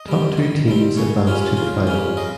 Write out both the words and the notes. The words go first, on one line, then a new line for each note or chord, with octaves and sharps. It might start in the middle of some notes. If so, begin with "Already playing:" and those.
Top two teams advance to the Final.
Already playing: D#5
G3 C4
D#3
G3 C4
C#3 C#5
G3 C#4 F4
C#3 F4
G3 C#4 F4
C#3 D#5